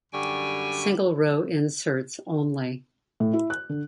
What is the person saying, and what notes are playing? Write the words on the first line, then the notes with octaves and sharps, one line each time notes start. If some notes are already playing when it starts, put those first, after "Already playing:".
Single row inserts only.
F#2 D3 G3 G5 G#5 C#6
A2
E4
F#6
D3